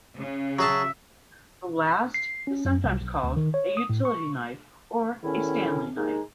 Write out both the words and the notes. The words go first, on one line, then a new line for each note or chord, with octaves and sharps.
The last is sometimes called a utility knife or a Stanley knife.
C#3
F#3 G#4 E5 A5
C7
C#4
F#2
C2
B1
D2
D#3
C#5
D#6
A2
C#6
E2 A2 D#3 C#4 E4
D#2 G#3 D#4